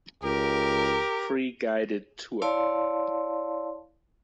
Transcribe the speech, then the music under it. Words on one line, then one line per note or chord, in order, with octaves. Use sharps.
Free guided tour.
C#2 G4 A#4
E4 C#5 D5 F5 A5 C6